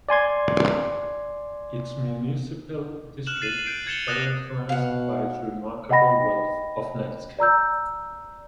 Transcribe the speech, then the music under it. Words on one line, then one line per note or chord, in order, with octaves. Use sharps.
Its municipal district is characterised by its remarkable wealth of landscape.
D5 G#5 C6 G#6
F6 F#6 E7 F#7
A6 C7 D#7 F#7
G6 C7 D7
G#6 A6 C#7 E7 F7 G7
D#6 F#6 A6 A#6 E7
B2 F5 F#5
D#5 F#5 G5 B5 A#6
D5 A#5 E6 G6